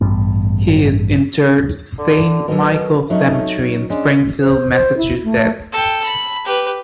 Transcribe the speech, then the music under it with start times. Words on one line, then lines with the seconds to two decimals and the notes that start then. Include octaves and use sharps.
He is interred Saint Michael Cemetery in Springfield, Massachusetts.
0.01 A1 G2 G3 B3
1.98 D3
2.48 B2 F#3 A4 A#4
3.10 F#3 A3 C#4 D#4
3.90 G#3 C#4 D4
4.40 C5
4.72 C5
4.97 E4
5.24 A3
5.72 A4 G5
6.04 B5
6.45 G4 B4